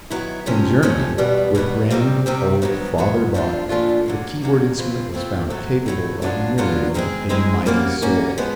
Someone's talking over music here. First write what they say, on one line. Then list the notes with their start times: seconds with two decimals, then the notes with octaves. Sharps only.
In Germany, with grand old Father Bach, the keyboard instrument was found capable of mirroring a mighty soul.
0.10 D#3 F#3 B3 E4
0.46 F2 C3 F3 A3 C#4
0.82 F2 C3 F3 A3 C#4
1.18 E2 B2 G3 B3
1.55 E2 B2 G3 B3
1.90 C3 D#3 G3 C4
2.26 C3 D#3 G3 C4
2.62 G#2 D#3 F#3 B3
2.98 G#2 D#3 F#3 B3
3.34 A#2 F3 A3 D4 F4
3.69 A#2 F3 A3 D4 F4
4.06 D3 F#3 A#3
4.42 D3 F#3 A#3
4.78 E3 A3 C4 F4
5.14 E3 A3 C4 F4
5.50 A2 F#3 A3
5.86 A2 F#3 A3
6.22 D3 F#3 B3 D4 F4
6.58 D3 F#3 B3 D4 F4
6.94 D#3 G#3 C4 E4 G#4
7.29 D#3 G#3 C4 E4 G#4
7.66 G3 A#3 C#4 F#4
8.02 G3 A#3 C#4 F#4
8.38 F3 G#3 B3